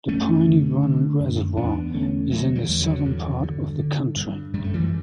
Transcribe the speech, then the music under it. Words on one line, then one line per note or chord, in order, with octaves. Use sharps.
The Piney Run Reservoir is in the southern part of the county.
F#2 A3 C#4
D3
D3
F#2
E2 B3 D4
D3 A3 C#4
D3 F#3 A3
E3 G3
E2
D3 F#3
G2
D3
D3
G2
F#2 G3
A3
E3 G3